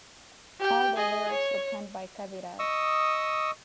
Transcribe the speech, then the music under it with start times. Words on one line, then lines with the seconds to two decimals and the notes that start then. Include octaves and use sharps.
All the lyrics were penned by Kaviraj.
0.60 G4 G5
0.96 G#4 D#5
1.32 C#5
2.59 D#5 C#6 D#6 E6